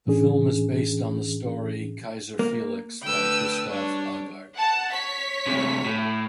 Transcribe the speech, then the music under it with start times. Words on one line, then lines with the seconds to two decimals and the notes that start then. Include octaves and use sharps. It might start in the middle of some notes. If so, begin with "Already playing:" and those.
The film is based on the story "Keiser Felix" by Gustav Aagaard.
0.07 A2 E3 C#4 D4 G#4
2.39 A#3
3.03 D3 A3 B4 G5 E6
3.70 G3 D4 C#5
4.56 F#5 A5
4.91 C#5 B6
5.47 D2 C3
5.86 A2